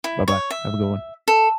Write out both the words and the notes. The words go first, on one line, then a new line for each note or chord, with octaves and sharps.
Bye-bye. Have a good one.
E4
C#5
E5
A4